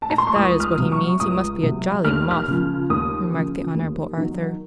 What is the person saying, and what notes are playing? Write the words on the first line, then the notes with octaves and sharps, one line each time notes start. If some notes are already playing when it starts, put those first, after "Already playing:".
"If that is what he means, he must be a jolly muff," remarked the Honourable Arthur.
A5
A#5
C6
C#6
C#2 D#6
F6
D#6
C3 F#3
C#6
C#2 D#6
C3 F#3
D#2 F6
F6
C#3 F3
D#2 D#6
C#3 F3
D#2
D#3 F#3